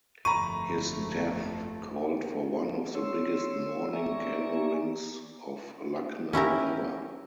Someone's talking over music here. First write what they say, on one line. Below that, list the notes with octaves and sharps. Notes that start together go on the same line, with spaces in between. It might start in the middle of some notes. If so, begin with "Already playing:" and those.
His death called for one of the biggest mourning gatherings of Lucknow ever.
G1 F2 A3 A#5 B5 C#6 D#7
C#5 C6 E6
D5 E5 G#5 A#5 C#6
C#4 E4 G4 A#4